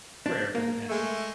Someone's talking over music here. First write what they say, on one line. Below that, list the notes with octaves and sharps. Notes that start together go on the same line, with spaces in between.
Rare, but it happens.
D4
A#3
G#3 A3